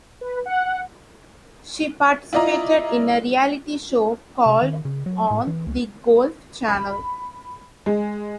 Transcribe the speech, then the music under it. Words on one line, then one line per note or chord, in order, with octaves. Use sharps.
She participated in a reality show called on the Golf Channel.
B4
F#5
E4 F4 D5 D#5 A#5
C3
D#3
C#3
F#3
A2
E3
C#2
B5
G#3